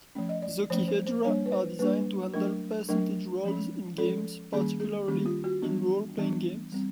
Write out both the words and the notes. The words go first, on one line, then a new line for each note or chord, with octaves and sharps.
Zocchihedra are designed to handle percentage rolls in games, particularly in role-playing games.
F3 A3 C#4
D#5
D5
F3 A3 C#4 C5
C5
C5
G3 A#3 D4 C#5
B4
C5
G3 A#3 D4 B4
F#3 A3 D4 A#4
F#3 A3 D4 A#4
F3 G#3 C#4
F3 G#3 C#4 A4
D#3 G3 A#3 C#4 G#4
G#4
D#3 G3 A#3 C#4 G4
F4
F#4
E3 G3 B3 D4
E3 G3 B3 D4
G3 C4